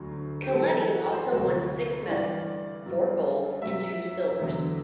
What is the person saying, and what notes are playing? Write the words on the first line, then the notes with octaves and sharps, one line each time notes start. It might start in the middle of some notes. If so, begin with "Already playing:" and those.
Keleti also won six medals: four golds and two silvers.
Already playing: D2 D3 F#3
G4
F#2 E3 A4
A4
F#4
C5
D2 C3 F#3
G2 E3 D5
G2 F#3
F#2 F#3 E5
E2 D3 F#3